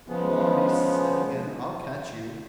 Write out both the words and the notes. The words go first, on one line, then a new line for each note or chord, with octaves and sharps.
"Come on!" he said again; "I'll catch you."
C#3 F3 G#3 B3